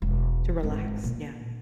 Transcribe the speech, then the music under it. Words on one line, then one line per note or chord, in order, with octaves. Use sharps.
To relax, yeah.
E1
G#1
A#2